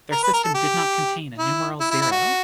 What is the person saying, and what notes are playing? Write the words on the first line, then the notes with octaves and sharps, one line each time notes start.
Their system did not contain a numeral zero.
A#4
B4
A#4
A4
G4
E4
E4
E4
E4
F#4